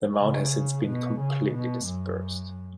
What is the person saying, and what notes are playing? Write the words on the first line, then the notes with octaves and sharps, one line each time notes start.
The mound has since been completely dispersed.
C#3
B2
C#3
B2
F#2